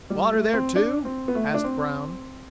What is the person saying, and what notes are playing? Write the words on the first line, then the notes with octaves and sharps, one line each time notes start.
"Water there, too?" asked Brown.
G3
A3
C4
D4
C4
B3
A3
D4
C4